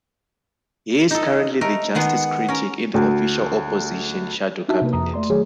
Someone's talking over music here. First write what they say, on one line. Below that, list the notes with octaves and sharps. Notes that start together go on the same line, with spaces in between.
He is currently the Justice Critic in the Official Opposition shadow cabinet.
D#4 A4 D#5
A3 A#4 D#5
D#3 G#3 B3 F#5
C#4 A#4
D2
D4 D#4 F#4 G4 E5 A5
C3 A#3 B4
F2 A#5 D#6
A3 D5 C6
D#3 F#3 A3 G#4 C#5